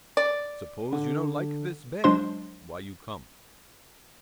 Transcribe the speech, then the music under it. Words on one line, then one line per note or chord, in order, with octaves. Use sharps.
Suppose you no like this bay, why you come?
D5
D3
F#3 G#3 D4 C5 C6